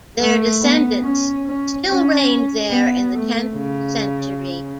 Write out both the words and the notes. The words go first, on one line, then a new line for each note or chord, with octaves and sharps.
Their descendants still reigned there in the tenth century.
A3
B3
C#4
C#4
C#4
B3
A3
C#3